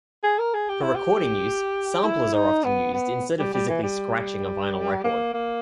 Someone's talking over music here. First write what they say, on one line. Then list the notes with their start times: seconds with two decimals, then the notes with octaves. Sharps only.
For recording use, samplers are often used instead of physically scratching a vinyl record.
0.24 G#4
0.39 A#4
0.54 G#4
0.69 G4
0.82 E4
0.95 G4
2.04 E4
2.34 D#4
2.64 B3
2.94 B3
3.39 G3
3.54 G3
3.69 E3
3.83 G3
5.04 A#3
5.34 A#3